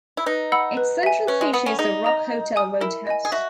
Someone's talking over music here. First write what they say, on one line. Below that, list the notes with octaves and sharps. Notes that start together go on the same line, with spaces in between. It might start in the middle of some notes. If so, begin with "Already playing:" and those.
Its central feature is the Rock Hotel roadhouse.
E4
D#4 B4
F#5 B5 E6
B4
E5 G#5
C#4 B4
G#3
B3 F#5 B5 D#6
C#4
D#4 G#4
D#5 A#5 D#6
D#5
G#5 D#6
E4 A#4
D#5 G#5
G#4
F#4 E5